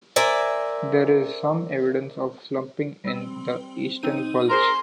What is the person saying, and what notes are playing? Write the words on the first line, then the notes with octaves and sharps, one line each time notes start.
There is some evidence of slumping in the eastern bulge.
A#4 C5 D5 E5 G#5
G3 C4
C4 D#4 D#7
G#4 A#4 C5 A#5 C6